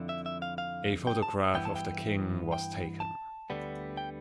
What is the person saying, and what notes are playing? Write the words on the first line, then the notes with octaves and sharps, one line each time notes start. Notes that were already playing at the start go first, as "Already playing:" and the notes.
A photograph of the king was taken.
Already playing: F2 D3 F3 C4 E4
E5
E5
F5
F5
G5
A5
G2 E3 B3 E4 G5
A5
G5
G5
A5
D2 D3 G3 B3
G5